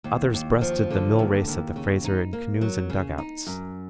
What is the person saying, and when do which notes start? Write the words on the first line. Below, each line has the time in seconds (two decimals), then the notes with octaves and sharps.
Others breasted the mill-race of the Fraser in canoes and dugouts.
0.04 D#2
0.34 D#2
0.61 F3
0.91 D3
1.19 D#2
1.48 D#2
1.76 C#3
2.04 D#4
2.33 A#3
2.61 F#3
2.90 C#3
3.18 D#4
3.47 F#2